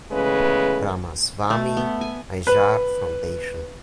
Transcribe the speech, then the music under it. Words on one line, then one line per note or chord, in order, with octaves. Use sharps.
Ramaswami Aiyar Foundation.
E2 C#3 G#3 A3 B4
A3
B3
G#5
B4